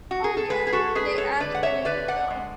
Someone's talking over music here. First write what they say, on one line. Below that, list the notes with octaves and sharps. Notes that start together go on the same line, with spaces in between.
Oh, yeah, they absolutely will.
F#4
G#4
A4
G#3 G#4 B4
G#4
F#4 A4
G#3 G#4 B4
A4 C#5
D3 B4 D5
F#5
C#5 E5
D3 B4 D5
D5 F#5
G#3